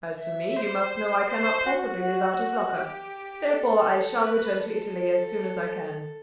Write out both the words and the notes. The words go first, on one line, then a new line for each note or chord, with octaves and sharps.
"As for me, you must know I cannot possibly live out of Lucca; therefore I shall return to Italy as soon as I can."
E5
C5
C5
F#4
F#4
G4
A4
B4
A4